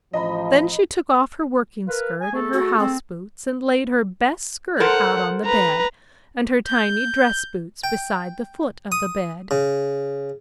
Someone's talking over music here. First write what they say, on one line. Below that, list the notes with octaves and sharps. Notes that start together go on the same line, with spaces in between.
Then she took off her working skirt and her house-boots and laid her best skirt out on the bed and her tiny dress-boots beside the foot of the bed.
A1 F3 D#5 A#5 B5
A#4 B4 F5
G#5
A3 G#4 A4
F#4
C4
A4 A#4 C5 F#5
B4 A#5
G6
G5
D#6
C#3